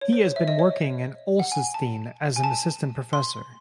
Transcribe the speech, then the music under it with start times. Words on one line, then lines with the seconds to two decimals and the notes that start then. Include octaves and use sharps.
He has been working in Olsztyn as an assistant professor.
0.01 C#5
0.13 C5
0.25 C#5
0.36 E5
0.48 D#5
0.59 C#5
1.39 F#5
1.52 G#5
1.74 A5
2.36 G#5
2.44 A5
3.13 C6